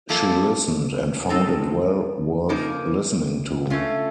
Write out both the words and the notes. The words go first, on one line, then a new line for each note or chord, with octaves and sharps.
She listened, and found it well worth listening to.
F#2 F3 A#3 F4 A4
F#3 C4 D#4 A4
C#3 F3 A#3 D#4 A#4
A3 C#4 F4